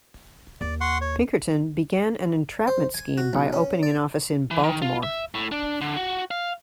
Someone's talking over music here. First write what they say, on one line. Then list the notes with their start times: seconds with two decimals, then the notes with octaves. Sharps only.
Pinkerton began an entrapment scheme by opening an office in Baltimore.
0.61 D#2 D5
0.81 F#5 C6 C#6
1.01 C#5
2.67 C5
2.94 G#5
3.18 F#4
3.33 B1
3.53 C#4
3.83 D5
4.51 E3
4.63 D#3
4.82 F4
5.03 E5
5.34 A2
5.52 D4
5.81 D3
5.97 F#4
6.31 F5